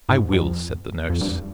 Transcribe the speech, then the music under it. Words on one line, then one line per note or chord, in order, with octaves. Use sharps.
"I will," said the nurse.
G#2
F2
F2
G2